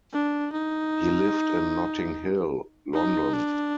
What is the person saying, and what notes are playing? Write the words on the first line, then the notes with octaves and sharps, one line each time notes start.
He lived in Notting Hill, London.
D4
D#4
D#4
D4